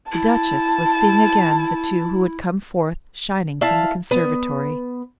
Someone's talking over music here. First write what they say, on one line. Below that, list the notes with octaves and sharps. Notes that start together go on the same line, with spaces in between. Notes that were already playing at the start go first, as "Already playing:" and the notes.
The Duchess was seeing again the two who had come forth shining from the conservatory.
E4 A5
E4 F5 A5
B3